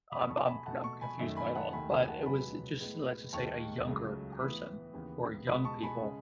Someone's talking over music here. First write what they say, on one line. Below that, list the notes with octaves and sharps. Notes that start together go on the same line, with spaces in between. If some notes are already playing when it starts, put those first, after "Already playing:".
I'm I'm I'm confused by it all but, it was just let's just say, a younger person, or young people,
B2 A3 B5 D#6
A5 C#6
G#5 B5
B2 A3 F#5 A5
A5 C#6
G#5 B5
F#2 D#3 A3 E5
G#5 B5
F#5 A5
D#2 D#3 A3 G#5 B5
G#5 B5
F#5 A5
A5
C#2 B2 F#3 B3 G#5 B5
A2 G#3 B3
D#2 D#3 G#3 A5 C#6
C#2 C#3 F#3 A3
A2 E3 B3 B5 D#6
D#2 C#3 E3 B3
C#2 B2 G#3 B5 D#6
A5 C#6
G#5 B5
C#3 G#3